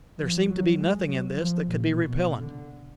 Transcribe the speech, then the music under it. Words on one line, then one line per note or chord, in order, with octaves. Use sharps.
There seemed to be nothing in this that could be repellent.
F3
F#3
G#3
F#3
F3
A#2
B2
D3